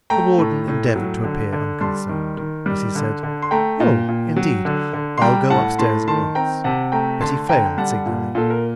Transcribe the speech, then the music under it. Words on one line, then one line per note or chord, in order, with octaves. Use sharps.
The warden endeavoured to appear unconcerned, as he said, "Oh, indeed! I'll go upstairs at once;" but he failed signally.
A3 G5 A#5
A2
A2
F#3
D3
D3
G3 A5 C6
D#3
D#3
G3
D3
D3
C6
A3 G5 A#5
A#2
A#2
F#3
D3
D3
C6
G3 G5 A#5
A2 F#5 A5
A2 A5 C6
D#3 A5 C6
C4 G5 A#5
C3 F#5 A5
A3 G5 A#5
D3 A5 C6
D3 G5 A#5
G5
G3 F#5 A5
A#2
A#2 A4
A#4